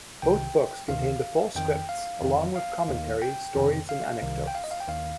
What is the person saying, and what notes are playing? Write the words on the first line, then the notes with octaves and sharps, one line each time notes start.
Both books contain the full scripts along with commentary, stories and anecdotes.
C2 C3 D#3 G5
D2 C3 D#3 F5
F2 D#3 G5
F5
F2 D#3
F5
D#2 D#3
G5
F2 C3 D#3
F5
C2 C3 D#3
G5
F5
D#5
F5
G5
D#2 D#3 F5